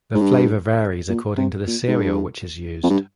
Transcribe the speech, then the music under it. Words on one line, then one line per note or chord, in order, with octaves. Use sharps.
The flavour varies according to the cereal which is used.
G#2
G2
A#2
C3
A#2
G#2
G2
F2
G2